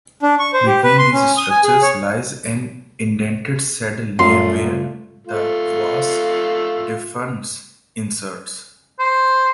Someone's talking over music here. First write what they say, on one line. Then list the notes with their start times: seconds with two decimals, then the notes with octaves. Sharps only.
Between these structures lies an indented saddle near where the vas deferens inserts.
0.23 D4
0.39 C#6
0.53 C5
0.66 G4
0.84 B4
0.98 C6
1.13 C#4
1.37 D#6
1.50 G#5
1.64 G#4
1.82 C#5
4.19 F#2 G3 A3 F4 C6
5.27 A3 F4
9.00 C5